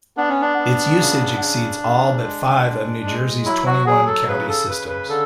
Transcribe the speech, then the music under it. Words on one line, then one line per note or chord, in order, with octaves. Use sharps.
Its usage exceeds all but five of New Jersey's twenty-one county systems.
B3 D4
C#4
D4
B3
C#3
C#3
C#3
G#3
G#3
G#3
F#3 E4
F#4
F#3 G#4
A4
C#3 B4
A4
C#3 B4
B4
D3 A4